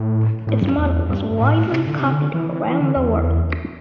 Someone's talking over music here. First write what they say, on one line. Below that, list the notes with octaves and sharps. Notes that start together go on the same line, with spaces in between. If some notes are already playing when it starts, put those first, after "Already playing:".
Its model was widely copied around the world.
Already playing: A2
A2
G2
E2
G2
G2
A2
C3
D3
C3
D3
E3
E3
E3
D3
E2